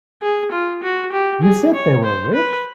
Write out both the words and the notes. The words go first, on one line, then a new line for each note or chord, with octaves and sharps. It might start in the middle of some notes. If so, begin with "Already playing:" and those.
You said they were rich?
G#4
F4
F#4
G4
G#4
C#5
C5
B4